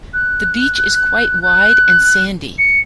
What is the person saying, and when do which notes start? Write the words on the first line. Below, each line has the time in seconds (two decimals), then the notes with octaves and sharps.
The beach is quite wide and sandy.
0.13 F#6
1.42 F#6
2.58 C#7